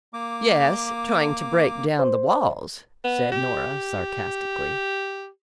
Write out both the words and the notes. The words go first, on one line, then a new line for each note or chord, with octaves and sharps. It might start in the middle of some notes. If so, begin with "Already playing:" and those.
"Yes, trying to break down the walls," said Nora, sarcastically.
A#3 D6
C5
B3
G4